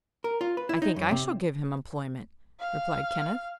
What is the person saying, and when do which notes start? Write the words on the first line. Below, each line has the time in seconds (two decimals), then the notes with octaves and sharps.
"I think I shall give him employment," replied Kenneth.
0.24 A#4
0.41 F4
0.57 B4
0.69 E4
0.82 D#4
0.96 F#2
1.11 C3
2.60 F5